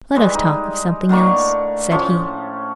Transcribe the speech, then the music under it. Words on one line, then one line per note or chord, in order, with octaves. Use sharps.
"Let us talk of something else," said he.
E3 G3 G#3
D#4
A2 D3 A#3 C#6
A2 F3 C#4